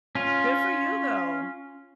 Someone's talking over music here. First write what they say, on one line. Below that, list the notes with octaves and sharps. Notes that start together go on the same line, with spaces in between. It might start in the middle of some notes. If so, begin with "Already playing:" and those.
good for you, though.
C#4 F4